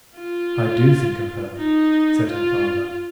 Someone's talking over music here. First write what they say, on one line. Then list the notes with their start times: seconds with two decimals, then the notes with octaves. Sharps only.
"I do think of her," said her father.
0.17 F4
1.57 D#4
2.28 F4